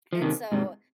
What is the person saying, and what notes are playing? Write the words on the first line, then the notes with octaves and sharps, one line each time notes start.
and so
F3
C3 D#3
G#2 C3